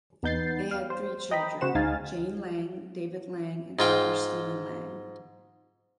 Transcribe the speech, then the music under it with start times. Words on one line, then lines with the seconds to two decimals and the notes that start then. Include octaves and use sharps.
They had three children: Jane Lang, David Lang, and actor Stephen Lang.
0.23 E2 B3 D#4 G6 A6 C7
0.71 F5
0.90 C5
1.31 D#5 G5 A#5 B5
1.61 C#3 F#4 C5 F#5 E7
1.75 D2 G#3 D#4 F5 G#5 A6
3.79 G#2 F4 G5